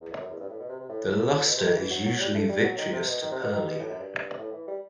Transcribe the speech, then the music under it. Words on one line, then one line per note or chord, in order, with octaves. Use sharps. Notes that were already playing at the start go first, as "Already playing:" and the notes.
The luster is usually vitreous to pearly.
E2
F#2
F#2
E2
G2
A2
B2
C3
C3
A2
B2
C3
D#3
E3
F#3
F#3
G3
A3
G3
F#3
D#3
C3
B2
D#3
C3
B2
D#3
B2
A2
F#2
G2
A2
E3
G3